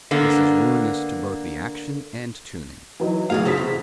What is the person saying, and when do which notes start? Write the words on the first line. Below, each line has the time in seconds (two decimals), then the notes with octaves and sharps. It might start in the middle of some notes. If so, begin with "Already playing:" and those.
This is ruinous to both the action and tuning.
0.11 D3 A#3 B3
3.00 E3 F#3 D#4
3.30 C#2 A2 D#3 F#3 G#4 F5
3.45 C#3 F3 F#4 A4 B6
3.57 E2 C3